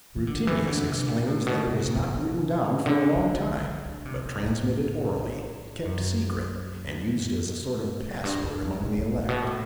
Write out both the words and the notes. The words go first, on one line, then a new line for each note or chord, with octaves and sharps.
Rutinius explains that it was not written down for a long time, but transmitted orally, kept secret, and used as a sort of password among the elect.
E3
D3
E3
D3
C3
B2
A2
B2
C3
B2
D3
D3
D3
D3
C3
B2
A2
A2
F#2
G2
G2
B2
A2
A2
B2
A2